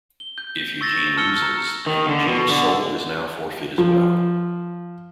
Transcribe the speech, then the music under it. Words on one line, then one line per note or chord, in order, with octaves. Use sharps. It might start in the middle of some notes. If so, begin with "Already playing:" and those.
If Eugene loses, then Eugene's soul is now forfeit as well.
G7
G6
C#6 E6 A6 A#6
A5 E6 F6 A6 C#7 G7
A#5
D#3
D3
B2
D3
F3